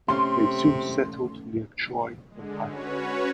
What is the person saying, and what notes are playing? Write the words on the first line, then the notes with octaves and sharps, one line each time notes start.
They soon settled near Troy, Ohio.
C3 A3 C#4 C6
D3 G#3
C#4 F#4 B4 C#5